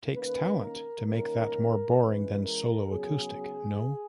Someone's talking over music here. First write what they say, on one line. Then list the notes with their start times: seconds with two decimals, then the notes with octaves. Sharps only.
Takes talent to make that more boring than solo acoustic, no?
0.12 D#3 A#3 C#4 B4
0.58 A#4
1.05 D#3 A#3 C#4 A#4
1.97 E3 G#3 C#4 B4
2.43 A#4
2.89 C#3 F#3 B3 G#4